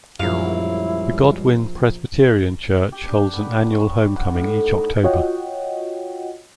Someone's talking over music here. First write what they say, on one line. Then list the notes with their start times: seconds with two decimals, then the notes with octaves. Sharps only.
The Godwin Presbyterian Church holds an annual homecoming each October.
0.20 A#1 F#2 G3 G#3 E4 C#5 F5
2.92 G4
3.08 D4
3.33 B3
3.71 C#5
4.17 F#5
4.34 A2
4.64 D#4
5.03 F4 F#4 C#5 D#5 F#5 G5